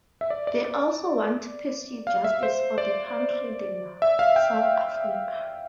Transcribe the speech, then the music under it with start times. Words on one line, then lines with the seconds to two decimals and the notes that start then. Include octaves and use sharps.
They also want to pursue justice for the country they love, South Africa.
0.21 E5
0.30 D5
0.47 D5
0.65 D5
2.07 F5
2.24 E5
2.43 C5
2.78 D5
4.02 E5
4.19 F5
4.36 G5